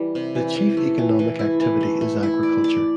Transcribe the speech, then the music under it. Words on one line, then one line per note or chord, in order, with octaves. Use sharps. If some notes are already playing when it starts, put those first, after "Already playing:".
The chief economic activity is agriculture.
Already playing: E3 G3
C3
E3
E3
A3
E3
E3
E4
E3
A3
A3
E4
D5
D5